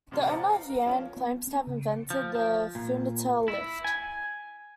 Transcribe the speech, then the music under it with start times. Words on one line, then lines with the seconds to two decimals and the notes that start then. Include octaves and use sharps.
The owner of Yan claims to have invented the funitel lift.
0.11 A#1 F2 C3 G3 C6 F6
0.27 C5 D5 D#5 F#5 A5 A#5
0.54 F5
0.70 A#4
0.86 F3 C#4 F4
1.17 B3
1.47 C4
1.67 C#3
2.10 F3
2.35 F3
2.75 A#2
3.48 E4
3.84 G#5